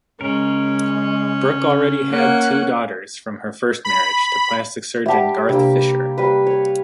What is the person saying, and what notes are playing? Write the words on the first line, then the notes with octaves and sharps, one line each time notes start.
Brooke already had two daughters from her first marriage to plastic surgeon Garth Fisher.
C#3 G#3 C#4 A#4
A#3 C#5 F#5
B5
G3 G4 E5 F#5 A5
C3 G3 A#3 D4
G3 A#3 B4
C#5